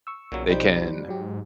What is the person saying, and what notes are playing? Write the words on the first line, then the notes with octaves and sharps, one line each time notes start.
they can
C#6 E6
B1 A#2 C#3 F#3
F3 G3 D#4 C5 G5
G#2 F#3 G4